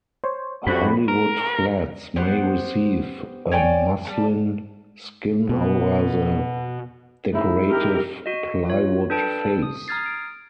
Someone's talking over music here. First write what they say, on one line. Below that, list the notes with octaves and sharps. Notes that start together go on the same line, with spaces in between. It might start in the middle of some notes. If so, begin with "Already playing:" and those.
Hollywood flats may receive a muslin skin over the decorative plywood face.
C5 C#5
F2 D3 G3 C4 F#4 B5
A#4
B3 G4 C5 F#5
C#5 D5 G5 G#5
G3 G#3 A5
B2
G#3 D#4 E4
G4 A#4
F#4 D#5
F4 C#5
D4 A4 B4 G5 A5 D7
D#6
A#5 D#6 F6 G#6 A6 C7
D7